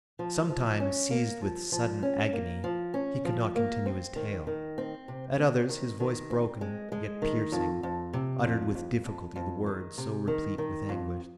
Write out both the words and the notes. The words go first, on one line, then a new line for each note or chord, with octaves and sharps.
Sometimes, seized with sudden agony, he could not continue his tale; at others, his voice broken, yet piercing, uttered with difficulty the words so replete with anguish.
F3
F3
C#4
A#3
F3
F3
C#4
A#3
F3
C#4
F3
A#3
C4
D#3
D#3
C4
C3
C4
D#3
D#3
C4
G#3
G#3
D#3
F2
F2
C3
F2
F2
F2
F2
D#3
C3
D#3
D#3
F2